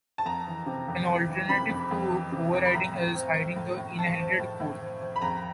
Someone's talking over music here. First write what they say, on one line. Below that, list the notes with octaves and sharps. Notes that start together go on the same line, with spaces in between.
An alternative to overriding is hiding the inherited code.
A5
F2 A#5
E3
C3
F2
F2
E3
C3 B5
F2
F2
E3
C3
F2
B5
A2 A#5
A2
F3
F3
A2
A2
F3 A5
F3
A2
A2
F3
F3
B5
F2 A#5